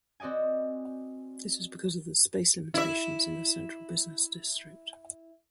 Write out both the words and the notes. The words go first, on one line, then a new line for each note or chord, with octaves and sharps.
This is because of the space limitations in the Central Business District.
C4 F#4 D5 D#5 G#5
E4 E5